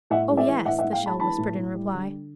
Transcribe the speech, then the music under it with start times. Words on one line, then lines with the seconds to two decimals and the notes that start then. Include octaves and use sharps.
"Oh, yes!" the shell whispered in reply.
0.10 A2 E5 F#5
0.29 G#3
0.37 D5 E5
0.48 E3
0.65 A2 E5 F#5
0.79 E5 F#5
0.84 A2
0.92 F5 G5
1.02 G#3 A5 B5
1.20 E3 A5 B5
1.38 A2
1.56 A2
1.74 G3
1.93 D3